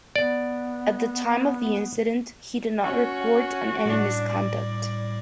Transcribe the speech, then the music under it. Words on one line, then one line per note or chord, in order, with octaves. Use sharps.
At the time of the incident, he did not report on any misconduct.
B3 D5
C#4 F#4
A2 G3 D4
D5